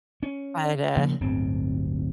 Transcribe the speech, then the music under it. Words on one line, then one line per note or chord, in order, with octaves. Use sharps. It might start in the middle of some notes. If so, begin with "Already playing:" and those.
but, uh
C#4
C#3 F3 A#3
D1 G1 G2 C4